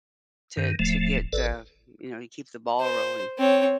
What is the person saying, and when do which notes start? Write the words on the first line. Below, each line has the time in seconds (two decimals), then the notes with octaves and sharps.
to to get the you know, to keep the ball rolling.
0.57 G2 D#3
0.79 D1 F3 A3
1.33 G#1 A4 B4 D5
2.80 C5
3.39 C4 C#5